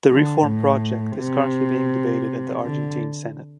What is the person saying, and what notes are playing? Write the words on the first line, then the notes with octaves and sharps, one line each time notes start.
The reform project is currently being debated in the Argentine Senate.
D3
A2
C3
D3